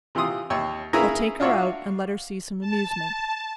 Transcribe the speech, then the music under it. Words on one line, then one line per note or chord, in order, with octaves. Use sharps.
I'll take her out and let her see some amusement.
C3 E3 F4 C6 D#6
D#2 C#5 E6
A#3 C#4 E4 G#4 B4 A#5
D4 F4 F#4 C#5 D5 E5
A5